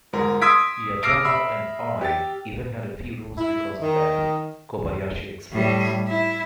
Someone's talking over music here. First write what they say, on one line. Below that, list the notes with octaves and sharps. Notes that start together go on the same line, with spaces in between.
"Yazawa and I even had a few rows because of that," Kobayashi explains.
G1 G#2 A#4
C6 D#6 E6 G#6 B6 D7
D6 E6 F6 A#6 C7 D7
E5 B5 E6
G4 A6
E4
D#3
A2 G3
E4